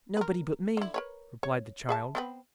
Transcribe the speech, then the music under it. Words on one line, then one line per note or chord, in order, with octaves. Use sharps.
'Nobody but me,' replied the child.
A#4 B4
D3 E4
A#4 B4 C#5
C#5
G#4 E5 A5
B3 C4 B4